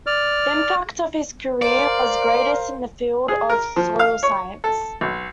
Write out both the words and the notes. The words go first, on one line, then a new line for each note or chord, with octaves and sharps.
The impact of his career was greatest in the field of soil science.
D5 F6
A#4 C5 D5 F5
G#4
A#4
F3
F5
C#5
A4
B1